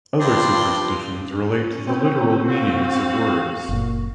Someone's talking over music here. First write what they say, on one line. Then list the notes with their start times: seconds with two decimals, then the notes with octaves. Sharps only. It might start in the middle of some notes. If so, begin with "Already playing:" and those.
Other superstitions relate to the literal meanings of words.
0.20 G2 F3 D4 C6
1.50 C#4
1.87 C4
2.47 F#4 F5
3.69 F#1 A#2